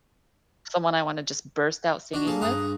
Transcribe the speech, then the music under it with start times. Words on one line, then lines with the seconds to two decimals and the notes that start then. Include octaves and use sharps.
someone I wanna just burst out singing with.
2.13 D4 F#4
2.26 A#3 G#4 A4
2.41 G2 G#4 F#5 A#5